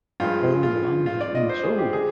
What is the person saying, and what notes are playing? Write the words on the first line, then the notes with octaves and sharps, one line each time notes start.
All the land has been sold.
G2 F3 G#3 F4
F4
F4
D5
D#5
C5
G#4
G4
D3 G#3 G#4